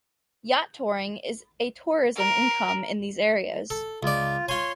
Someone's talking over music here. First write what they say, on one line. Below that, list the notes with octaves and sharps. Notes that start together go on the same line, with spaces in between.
Yacht touring is a tourism income in these areas.
A#4
A4
C#2 F4 D5
F4 C#5 G#5 C6